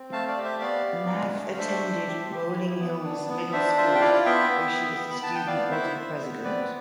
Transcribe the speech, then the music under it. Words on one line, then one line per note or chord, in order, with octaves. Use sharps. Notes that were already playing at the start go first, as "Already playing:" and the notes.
Nag attended Rolling Hills Middle School where she was the student body president.
Already playing: C4
A3 F5 A5
D5 F5
G4
C5 E5
B3 D5 F5
B3
D4
A3
F5
D4 C5 E5
D4
G4
G4
E4
B3
D4
B3
D4 C5 E5
F4 C5 E5
G5
E4 D5 F5
F5
B3 E5 G5
B3
B3
B3
B5
B3 A5
G5
B3 D5 F5
F5
E4 C5 E5
B3
B3
C4 B4 D5